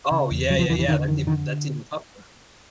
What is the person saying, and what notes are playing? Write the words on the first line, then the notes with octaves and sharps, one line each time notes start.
Oh, yeah, yeah, yeah, that's even that's even tougher.
C#3
E2
C#3 F#3
F3
E2 E3
E3
D3 D#3
F2 D#3
D3 D#3